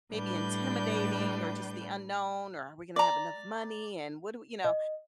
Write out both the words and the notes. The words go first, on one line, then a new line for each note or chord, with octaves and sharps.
maybe intimidating, or just the unknown, or "Are we gonna have enough money, and what do we" you know,
A2 G3 D4 B4 G6
D5 A#5
D#5